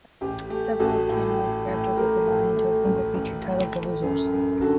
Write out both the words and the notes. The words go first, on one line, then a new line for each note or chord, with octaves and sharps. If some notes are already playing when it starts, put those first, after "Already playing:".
Several of Kanigher's characters were combined into a single feature titled "The Losers".
A1 G4
A3 G4
A1 F#4 A4
A2
A2
A2
A3 G4 A#4
A2
A3
A1
A1
A2
A3
F#2
F#2
D3 F#4 A4